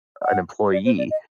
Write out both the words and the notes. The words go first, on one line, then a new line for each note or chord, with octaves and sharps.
an employee,
F#5
D5
C5
D5
D#5